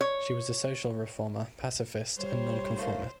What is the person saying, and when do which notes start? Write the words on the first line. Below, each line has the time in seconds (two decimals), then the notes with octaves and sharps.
She was a social reformer, pacifist and nonconformist.
0.01 C#5
2.17 G3 C5 C#5
2.76 D#3 A3 A#3